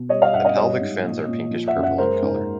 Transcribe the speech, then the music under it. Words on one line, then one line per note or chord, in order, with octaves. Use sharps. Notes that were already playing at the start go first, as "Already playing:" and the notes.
The pelvic fins are pinkish purple in colour.
Already playing: B2
G3 C#5 D#5
D#5 F5
G2 E5 F#5
D#5 F5
G3 C#5 D#5
G#2
A#2
A#2
F3
E5 F#5
F#2
E5 F#5
G#3 A#4 C5
G#2